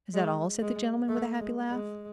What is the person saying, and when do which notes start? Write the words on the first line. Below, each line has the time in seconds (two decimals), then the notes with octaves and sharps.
"Is that all?" said the gentleman with a happy laugh.
0.14 G#3
0.62 G#3
1.09 A3
1.39 G#3
1.70 G#3